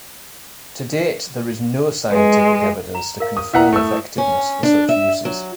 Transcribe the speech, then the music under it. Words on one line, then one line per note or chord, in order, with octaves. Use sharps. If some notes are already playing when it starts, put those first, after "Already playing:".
To date there is no scientific evidence to confirm effectiveness for such uses.
G#3 B4
A#5
A#4 F5
D#6
E4 E5 F#5 G5 A#5
A3 E6
C#4
D4
E5
F#3